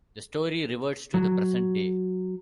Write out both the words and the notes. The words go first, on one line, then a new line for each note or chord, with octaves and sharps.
The story reverts to the present day.
F#3